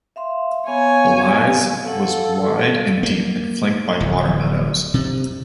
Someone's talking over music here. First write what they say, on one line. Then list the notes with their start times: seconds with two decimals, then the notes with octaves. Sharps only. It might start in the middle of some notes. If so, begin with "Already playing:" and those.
The Lys was wide and deep and flanked by water meadows.
0.16 E5 F5 C6
0.68 B3 C#5 F5 G#5 C#6
1.86 A4 F5 F#5
3.03 A#3
4.00 D1
4.94 C3